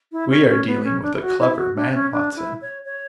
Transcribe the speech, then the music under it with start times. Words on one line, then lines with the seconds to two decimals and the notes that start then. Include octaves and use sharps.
We are dealing with a clever man, Watson.
0.12 E4
0.30 C#4
0.48 C#4
0.67 B3
0.84 C#4
1.02 D4
1.15 E4
1.21 F#4
1.39 E4
1.57 F#4
1.76 D4
1.94 C#4
2.12 D4
2.36 E4
2.61 C#5
2.85 C#5